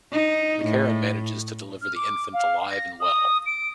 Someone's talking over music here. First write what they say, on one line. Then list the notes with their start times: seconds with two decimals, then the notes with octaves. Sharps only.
McCarron manages to deliver the infant alive and well.
0.12 D#4
0.64 A2
1.82 F6
1.96 D6
2.33 F5
2.71 A#6
3.00 D#6
3.46 D7